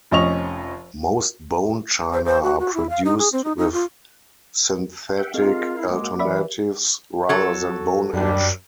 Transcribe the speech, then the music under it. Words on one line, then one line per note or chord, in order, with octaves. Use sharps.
Most bone china are produced with synthetic alternatives rather than bone ash.
F1 F2 C#4 D#5 C#6 F7
C5
C5
F#4
F#4
E4
F5
D#4
G#4
C4
D#4
D#4
F4
E5 F#5 G5
C4 F4 G#4 A#4 D#5 F5
E4
G#3 A#3 F#4 D6
E3 D5 E5 B5
F#3 A4
F#2 G3 D4